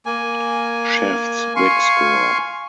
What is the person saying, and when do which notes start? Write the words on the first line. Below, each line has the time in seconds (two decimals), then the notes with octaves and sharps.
Shaft's Big Score!
0.06 A#3 G#5
1.56 F5 G#5 C6 C#6